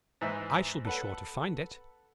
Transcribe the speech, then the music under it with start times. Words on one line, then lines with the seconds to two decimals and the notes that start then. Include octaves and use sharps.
I shall be sure to find it.'
0.21 G#2 E3 C5 E5
0.85 A4 B4 F#5